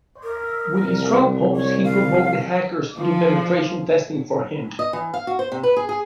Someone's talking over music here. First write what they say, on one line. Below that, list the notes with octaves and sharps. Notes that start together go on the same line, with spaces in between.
With his troll post he provoked the hackers to do penetration testing for him.
A#4
C2
C#5
F5
F3
D#5
E3
F5
F#4
C5
C3
B4
G#4
G#4